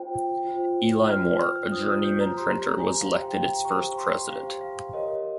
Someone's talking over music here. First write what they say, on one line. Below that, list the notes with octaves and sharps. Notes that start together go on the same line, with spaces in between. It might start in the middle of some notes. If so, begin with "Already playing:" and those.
Ely Moore, a journeyman printer, was elected its first president.
Already playing: F4 C5 G5
F4 C5
F4 C5 F6
F6
F4 C5 D#6
D#6
G6
A#5
G4 C5 C6
A#5
G#5
G4 C5 F5
G5
A#5
G4 C5 C#6
C6
G4 C5 F5
F5
G4 A#4 C#5 D#5